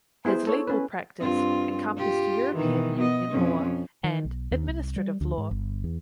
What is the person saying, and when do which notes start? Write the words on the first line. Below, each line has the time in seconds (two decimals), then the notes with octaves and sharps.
His legal practice encompassed European Union law and administrative law.
0.25 B3 E4 G#4 C5
0.47 A4 C#5
0.67 C#4 B4
1.20 G2 C4 F4
1.97 F4 G4
2.55 B2 D#3 E3
2.98 B3 D#5
3.30 F2 C#4
4.04 D#3
4.25 B1
4.51 D#2
4.67 C2
4.96 G3
5.21 D2
5.38 G#2
5.51 G1
5.84 E2